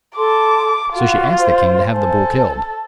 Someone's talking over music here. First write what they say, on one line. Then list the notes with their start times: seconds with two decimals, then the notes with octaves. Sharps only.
So she asked the king to have the bull killed.
0.17 A4 A5 C6 D6
0.93 F4 F#4
1.39 C5
1.93 A4 C5 G#5